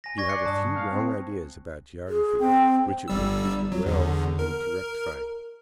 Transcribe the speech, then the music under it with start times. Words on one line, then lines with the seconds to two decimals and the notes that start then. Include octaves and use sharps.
You have a few wrong ideas about geography, which it would be well for you to rectify.
0.04 G#5 A#6
0.18 D5 C#6 G#6 A#6
0.29 D5 F#6 C7 C#7
0.46 G2 A5 D#6
0.76 F5
0.91 C4
2.08 G#4
2.40 C4 G5
3.08 G1 G3 E6
3.72 F#3
3.86 E2 D3
4.39 A#4